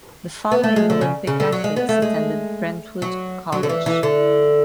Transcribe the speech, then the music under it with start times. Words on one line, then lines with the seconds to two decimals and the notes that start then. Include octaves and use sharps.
The following Olympic athletes attended Brentwood College.
0.51 B3
0.63 A3
0.76 G#3
0.90 D3
1.01 C#3
1.27 C#3
1.40 D3
1.52 F#3
1.64 G#3
1.76 B3
1.89 A3
2.02 G#3
3.02 F#3
3.52 F#3
3.63 D3
3.69 E3
3.86 E3
4.03 D3